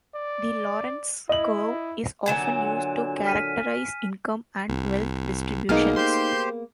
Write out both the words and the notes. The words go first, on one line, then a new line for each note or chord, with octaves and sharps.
The Lorenz curve is often used to characterize income and wealth distributions.
D5
E4 D#5 F#7
A#2 D3 F#3 G#5 E7
F6 B6 D#7
C2
B1 A#3 B3 D#4 G#4 F6
G4 C5 C6 G6